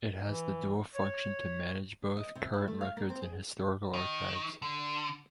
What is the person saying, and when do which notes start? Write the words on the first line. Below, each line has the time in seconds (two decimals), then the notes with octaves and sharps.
It has the dual function to manage both current records and historical archives.
0.25 E3
0.94 C#5
2.17 D#5
2.35 C3
2.53 E4
2.68 A3
2.81 F5
2.97 A#3
3.10 C4
3.22 G#4
3.93 D#3
4.62 D3